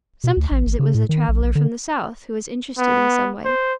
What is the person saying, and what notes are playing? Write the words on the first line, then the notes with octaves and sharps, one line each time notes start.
Sometimes it was a traveler from the South, who was interested in some way.
B2
D2
A1
G#1
C#3
A2
D#3
A#1
A#1
D3
B3
C5